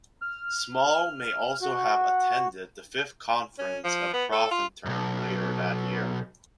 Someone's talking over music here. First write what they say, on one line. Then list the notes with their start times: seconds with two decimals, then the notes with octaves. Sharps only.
Small may also have attended the fifth conference of Profintern later that year.
0.22 F6
1.62 F#4
3.59 C#4
3.84 F3
4.13 B3
4.32 A4
4.51 F4
4.85 B1 F#2